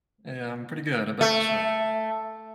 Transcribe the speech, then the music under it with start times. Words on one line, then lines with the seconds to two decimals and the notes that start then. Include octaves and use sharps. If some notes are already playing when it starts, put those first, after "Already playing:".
Yeah, I'm pretty good. How about yourself?
1.21 A3